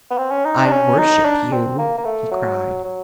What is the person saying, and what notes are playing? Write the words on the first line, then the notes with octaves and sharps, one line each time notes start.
"I worship you," he cried.
B3
C4
C#4
D#4
D#4
D4
C#4
D#4
D4
C4
A#3
A#3
A3
F#3
F#3